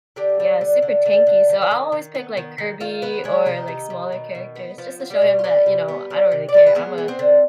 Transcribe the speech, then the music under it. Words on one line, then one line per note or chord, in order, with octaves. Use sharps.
Yeah, super tanky, so I'll always pick, like, Kirby or, like, smaller characters just to show him that, you know, I don't really care. I'm a
D3 G4 G5
G3
D3
D3
D3
D3
D#3
D#3
D#3
B3
D#3
D#3
D#3 F4 F5
D#3 B3 B4
G3 G#3 G#4
C3 D#3 D#4
C3
C3
B2
B2
B3
F3 B3 F4
B3
G3 G4
B2
F4
G3 B3 G4
C3
B3
G3
C3
D5
G3 C5
B4
G#3 B3 G#4
B3
C4 C5
D3